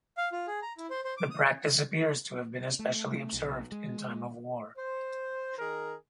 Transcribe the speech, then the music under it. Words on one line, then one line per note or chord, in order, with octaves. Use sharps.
The practice appears to have been especially observed in time of war.
F5
F4
G#4
A#5
E4
C5
C5
D6
D#6
A3
B1
G#3
C5
D#3 G#4 A#4